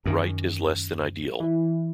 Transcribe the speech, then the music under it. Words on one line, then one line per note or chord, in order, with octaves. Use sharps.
Right is less than ideal.
F#2 D#3
E3